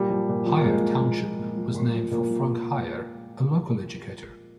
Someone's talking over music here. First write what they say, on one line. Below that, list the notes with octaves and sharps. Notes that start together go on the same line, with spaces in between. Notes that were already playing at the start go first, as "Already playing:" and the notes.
Heier Township was named for Frank Heier, a local educator.
Already playing: A#2 G3
F3
A#2
F3
A#3
A#2 G#3
F3
A#2
F3
A#2
F3
A#2
F3
A#2 A#3
F3